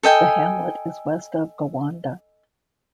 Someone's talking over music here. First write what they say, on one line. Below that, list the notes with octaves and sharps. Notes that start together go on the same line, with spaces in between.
The hamlet is west of Gowanda.
A4 D#5 G5 G#5